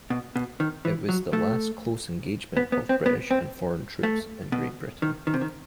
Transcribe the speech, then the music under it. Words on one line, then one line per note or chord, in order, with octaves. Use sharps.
It was the last close engagement of British and foreign troops in Great Britain.
B2
B2
D#3
E3
F#3
A3
B3
B3
C4
B3
C4
A3
B2
D#3
D#3
C3
D#3